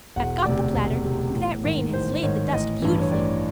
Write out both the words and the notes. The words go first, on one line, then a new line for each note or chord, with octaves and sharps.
I've got the platter, and that rain has laid the dust beautifully.
E1 F#5
D2 C3 D5
E1
D2 C3
A1
G#2 D#3
A1 C5
G#2 D#3 C#5
A1 D#5
G2 E3
C#5
A1 D5